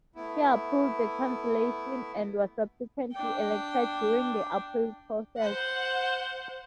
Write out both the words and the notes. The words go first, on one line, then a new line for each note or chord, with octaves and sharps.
He appealed the cancellation and was subsequently elected during the appeal process.
A3 B3 E4
D4 G5
C5 F#5